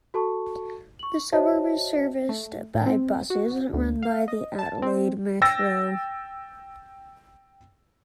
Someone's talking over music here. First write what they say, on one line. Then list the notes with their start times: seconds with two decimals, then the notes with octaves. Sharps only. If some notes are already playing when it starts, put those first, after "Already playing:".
The suburb is serviced by buses run by the Adelaide Metro.
0.14 F#4 A4 A5 C#6
0.99 C#6 F#7
1.32 F#4 C5 C#5 D#5 E5 A5
2.29 A3
2.75 A2
2.86 C4
3.30 F#4
3.73 D2
4.02 F5
4.28 D#5
4.59 A5
4.82 C4
5.42 G5 E6 A6 A#6